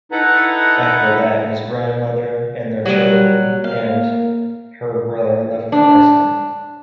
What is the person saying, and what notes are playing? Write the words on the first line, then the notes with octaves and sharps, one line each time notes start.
After that his grandmother and their children and her brother left for Iceland.
D#4 E4 A4 B4 F#5 A#5
F#3 G3
A#3 F5
D4